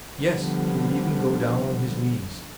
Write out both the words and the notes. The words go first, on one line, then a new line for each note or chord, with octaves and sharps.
"Yes, he would even go down on his knees."
D3 F3 G3 B3